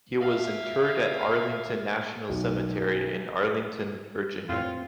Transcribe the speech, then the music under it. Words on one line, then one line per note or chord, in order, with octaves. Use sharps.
He was interred at Arlington National Cemetery in Arlington, Virginia.
E5 F5
B1
F2 A2 C4 F4 C#5